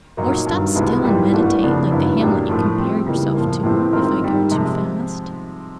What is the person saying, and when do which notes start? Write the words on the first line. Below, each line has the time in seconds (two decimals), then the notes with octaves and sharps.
Or stop still and meditate, like the Hamlet you compare yourself to, if I go too fast.'
0.17 A#2 F#3 A#3 D#4
0.46 G2 D#3 F#3
0.76 C2 B2 G#3 B3 E4
1.04 G#2 E3 G3 A#3
1.33 G2 E3 A3 D4 F#4
1.62 F2 C#3 F3 A#3 D4
1.91 G2 D#3 F#3 B3 E4
2.19 A2 F#3 A#3 D4 G4
2.49 A2 F3 A3
2.77 G3 C4 F4
3.06 C#3 E3 G3 A#3 D#4
3.35 A2 F3 A#3
3.63 A2 E3 G#3 C4
3.92 D#3 G#3 C4 F4 A#4
4.21 G#2 D#3 G3
4.51 C3 F3 G#3